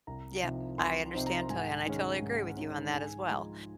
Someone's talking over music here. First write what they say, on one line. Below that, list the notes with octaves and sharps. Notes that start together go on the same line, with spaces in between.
Yep. I understand totally and I totally agree with you on that as well.
C2 A#5
C3 F3 C4 D#4
C2 C6
C3 F3 C4 D#4
A#5
G#2 G#5
F#5
G#5
D#3 G#3 C#4
G#2
D#3 G#3 C#4
G#2 G#5
C6
F3 G#3 D#4 A#5